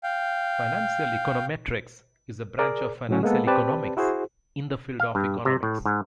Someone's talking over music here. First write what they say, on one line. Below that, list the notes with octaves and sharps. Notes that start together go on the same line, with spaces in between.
Financial econometrics is a branch of financial economics, in the field of economics.
F5 G5
G#4 A#4 D5
A2 F#3 C#4
G#3 A#3 B3 A4
C4 G4 B4 D5 A5
E4 F#4 G#4 C5
F5
G2
C3
A2
G#2